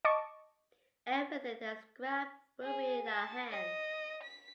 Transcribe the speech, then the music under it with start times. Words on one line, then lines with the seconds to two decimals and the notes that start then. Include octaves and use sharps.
Everything that's grabbed will be in our hands.
0.05 D#5 A5 C#6 D6
2.62 G#4
3.06 A5
3.51 D#5
4.23 B6